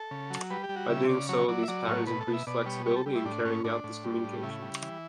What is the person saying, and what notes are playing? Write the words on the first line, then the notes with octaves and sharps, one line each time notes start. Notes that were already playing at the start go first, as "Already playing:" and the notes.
By doing so, these patterns increase flexibility in carrying out this communication.
Already playing: A4
C#3
F#3
G3 B4
G4
G3
F#4
C#3 E5
C#3 D5
F#3 C#5
F#3 D5
E5
F#3 D5
A2 C#5
B2 B4
A4
B2
E5
B2 D5
G3 C#5
G3 C#5
A4
G3
E4
A2 D4
A2 C#4
A2 D4
A2
G3
A2
C#3 E4
G3
E3